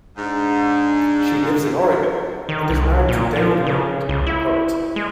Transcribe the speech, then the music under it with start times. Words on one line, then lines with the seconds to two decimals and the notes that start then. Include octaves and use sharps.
She lives in Oregon and is married to David Lunde, a poet.
0.17 G#2 D4
2.49 D#3
2.70 C2
3.08 A#2
3.36 F3
3.66 C#3
4.09 C#2
4.26 E4
4.96 G#3